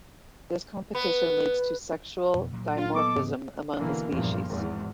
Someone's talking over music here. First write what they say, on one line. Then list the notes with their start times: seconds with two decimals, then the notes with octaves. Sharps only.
This competition leads to sexual dimorphism among the species.
0.95 B3
2.34 F2 B2
2.53 A#2 F#3 A#3
2.77 D4 F4
2.95 B3 A4 D#5 D6
3.16 G#2 C#3 E3
3.77 B2 D3 E3 A#3
4.12 E2 G2 A#2 F3 A#3
4.48 G#1 E2 G#2